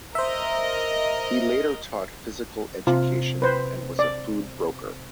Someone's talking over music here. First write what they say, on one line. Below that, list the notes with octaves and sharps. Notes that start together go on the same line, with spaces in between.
He later taught physical education and was a food broker.
A#4 C5 D#5 E5
C3 F4
B4 C5
D5